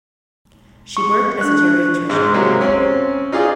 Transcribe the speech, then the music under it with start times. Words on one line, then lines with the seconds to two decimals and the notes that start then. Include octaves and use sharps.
She worked as a geriatrician.
0.97 C#6
1.41 D4 F#6
2.09 G#1 G#2 G#3
2.34 C3 F#3 G#3 A#3 C4
2.61 C4 C#4
3.32 D#4 F4 G#4 D5 D#5